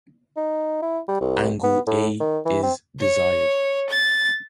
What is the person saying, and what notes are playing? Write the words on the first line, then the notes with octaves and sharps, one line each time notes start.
Angle A is desired.
D#4
E4
G3
C2
B3
A2
D#3
E3
C4
C#5
A6